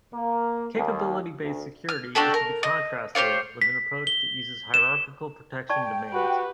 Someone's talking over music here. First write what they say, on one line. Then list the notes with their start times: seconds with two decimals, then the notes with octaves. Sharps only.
Capability-based security is to be contrasted with an approach that uses hierarchical protection domains.
0.14 A#3
0.75 D#2
1.41 D2
1.89 F6
2.15 D4 F#4 G4 A4
2.34 A#4
2.63 D#5
3.15 G4 C5 C#5 F5
3.62 B6
4.07 G7
4.74 E7
5.69 D5 G5 A5 C#6
6.13 F#4 G4 B4